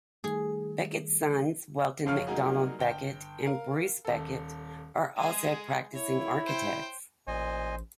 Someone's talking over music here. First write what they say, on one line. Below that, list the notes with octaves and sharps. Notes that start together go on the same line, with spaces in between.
Becket's sons, Welton MacDonald Becket and Bruce Becket, are also practicing architects.
D#3 G3 A3 G#4
F#1 F2 C#3 C#5 F5 F6
F#3 G3 A#3 D#4 F#4 G#4
G1 G5 G7
A#4 F5
D#1 A4
G#3 G#4
E4 C#5
C5 G5
A1 A#2 C5 D#5 G#5